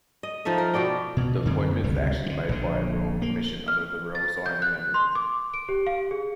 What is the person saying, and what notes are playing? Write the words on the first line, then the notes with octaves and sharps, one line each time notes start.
The appointment is actually made by a Royal Commission under the royal sign-manual.
D#5
F3 D#4 A4 E5
A#4
B2 B3 D5 G5
B2
F#2 D3 D#3 C4
G1 C#2 C3 G3
D3 D#3
A#1 A#2 D3
A#3
F6
A6
G6
F#6
C6
D6
D7
G4
F5
G#4